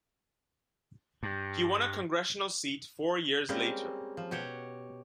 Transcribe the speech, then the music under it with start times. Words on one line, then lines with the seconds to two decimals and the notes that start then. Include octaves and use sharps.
He won a congressional seat four years later.
1.23 G2
3.49 G3 G#3 A#3 C4 C#4 G4
4.17 F3
4.31 B2 G4 C#5 F#5 G5